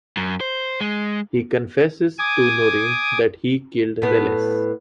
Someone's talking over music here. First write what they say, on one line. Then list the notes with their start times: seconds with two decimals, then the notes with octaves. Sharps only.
He confesses to Noreen that he killed Reles.
0.17 F#2
0.41 C5
0.81 G#3
2.18 G#5 D6 D#6
4.02 A2 B3